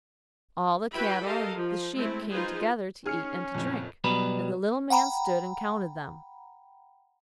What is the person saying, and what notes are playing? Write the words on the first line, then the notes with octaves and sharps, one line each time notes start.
All the cattle and the sheep came together to eat and to drink, and the little man stood and counted them.
E4 F#4 B4 E5 G5 B5
G4 A4 A#4 D#5 F5
F3
G#3 A3 C4 E4
D#4 F4 G#4 B4 C5
C#4 D#4 G#4 G#5 F6 C#7
F#1 F2 A#2 C4
B2 F#3 G3 B3 B4 B5
F#5 G5 A#5 B5